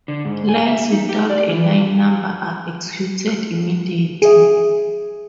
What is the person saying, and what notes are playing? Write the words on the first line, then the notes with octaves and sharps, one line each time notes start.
Lines without a line number are executed immediately.
D3
G#2
G#5
E5
D#4
G4
D5
E3
G#4 E5